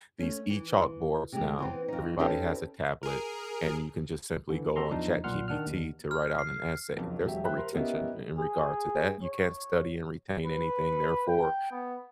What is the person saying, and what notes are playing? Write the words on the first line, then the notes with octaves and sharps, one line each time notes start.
these e-chalkboards now. Everybody has a tablet, and you can just simply go on ChatGPT to write out an essay. There's no retention in regard to that. You can't study and retain anything. Therefore,
A3 C#4
E3
C3 G#3 G4
E3 B3 C4
F2 D#4
C4 C#4 D#4 G4 A4 B4
G#4 A#4
D3 E3
C4 F#4 G4 A4 A#5 C6
E2 F3 D4 D#4
B1 A#2 F#5 C6 F6
D#3 D4 F#5 F6
D#2
F6
C7
F#1 B1 F2
E1 F#3 G4 E5
C5 E5 G5 B5 F#6
G4 A#4 C6
G3 A#3 B3 C#4 E4 D#5
G#4
C#5
B4
G5
B3